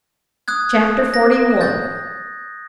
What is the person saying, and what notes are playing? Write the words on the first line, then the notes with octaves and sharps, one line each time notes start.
Chapter XLI.
D#6 F#6 G#6
A#6
G6 A6